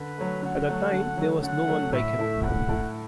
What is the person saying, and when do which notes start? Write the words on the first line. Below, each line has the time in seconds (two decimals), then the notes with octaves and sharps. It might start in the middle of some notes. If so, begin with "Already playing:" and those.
At the time, there was no one like him.
Already playing: D3 B4
0.18 F#3 A3
0.43 D3 F#5
0.69 F#3 A3
0.93 D3
1.18 F#3 A3
1.43 D3 F#5
1.68 F#3 A3
1.93 A2 E5
2.18 A3 E4 A4
2.42 A2 F#5
2.68 A3 E4 A4